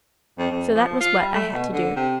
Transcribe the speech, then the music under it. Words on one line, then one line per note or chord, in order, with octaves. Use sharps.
So that was what I had to do.
F2
F2
F3
F4
G3
A3
B2
D3
C3